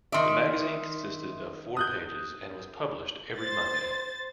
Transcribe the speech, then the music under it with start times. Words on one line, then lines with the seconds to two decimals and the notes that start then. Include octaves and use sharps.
The magazine consisted of four pages and was published every Monday.
0.12 D#3 D5 E5 C6
1.77 D#6 F#6 G6
3.38 C5 A6